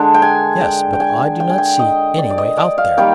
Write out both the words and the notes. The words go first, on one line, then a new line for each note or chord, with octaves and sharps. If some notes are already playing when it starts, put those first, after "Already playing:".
"Yes, but I do not see any way out there."
Already playing: D3 G#3 D4
G5
G#5
G5
G5
G#5
G5
G#5
G5
D#5
D5
D5
D#5
D5
F5
D#3 G3 A#3 D#4 G5